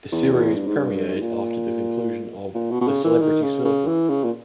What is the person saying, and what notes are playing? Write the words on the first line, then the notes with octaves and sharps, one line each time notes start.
The series premiered after the conclusion of "The Celebrity Circle".
E2
E2
G2
G#2
G2
G2
G#2
A#2
A#2
B2
B2
C#3
E3
D#3
C#3
C#3
E3
C#3
A#2